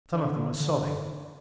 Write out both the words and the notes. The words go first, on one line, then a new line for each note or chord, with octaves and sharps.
Some of them were sobbing.
D3
D3